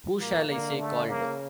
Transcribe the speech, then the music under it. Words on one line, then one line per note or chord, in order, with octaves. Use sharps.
Who shall I say called?
A#2 A#3
D3 A#3
A3
C#3 A#3